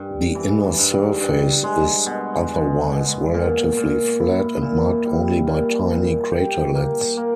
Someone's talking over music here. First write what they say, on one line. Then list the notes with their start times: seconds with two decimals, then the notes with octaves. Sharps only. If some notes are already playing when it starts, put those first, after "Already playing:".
The inner surface is otherwise relatively flat and marked only by tiny craterlets.
Already playing: G2
0.35 E3
0.79 G2
1.21 G2
1.64 G#3
2.06 B2
2.49 G#3
2.91 B2
3.34 A#2
3.77 A#2
4.20 E4
4.62 A#2
5.05 G3
5.47 A#2
5.90 A#2
6.32 G4
6.75 A#3
7.17 A#3